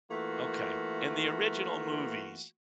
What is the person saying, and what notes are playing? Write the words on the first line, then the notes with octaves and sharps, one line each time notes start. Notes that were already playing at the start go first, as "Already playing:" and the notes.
Okay. In the original movies,
E3 A3 A#3 F4 F#4